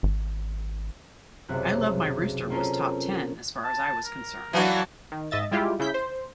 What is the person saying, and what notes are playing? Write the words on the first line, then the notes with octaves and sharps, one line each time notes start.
'I Love My Rooster' was Top Ten as far as I was concerned.
G#1
F#1 B1 C3 F#6
A#3 C4 C#4 F4 A4 A#4
A5
A#4
E3 F#3 A#3 D4 F#4 A5
D#3
G#2 D#5 E5 A6
G3 G#3 E4 F4 G4
C#3 E4 G6 B6
C5